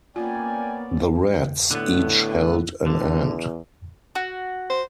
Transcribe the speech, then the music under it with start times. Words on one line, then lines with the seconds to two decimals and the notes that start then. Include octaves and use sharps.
The rats each held an end.
0.16 A#3 B3 C#4 F4 D5 G5 G#5
1.71 A2 D3 B3
2.86 E2 D3
4.15 F#4
4.70 C5